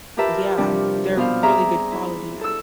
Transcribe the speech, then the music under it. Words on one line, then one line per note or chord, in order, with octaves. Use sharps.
Yeah, they're really good quality now.
F4 G4 A#4 B4 E5 A5
C3 F3 G3 D4
B2 D4 F4 C5 F5
G#4 E5 A#5 C6 D6
E4
A4 E6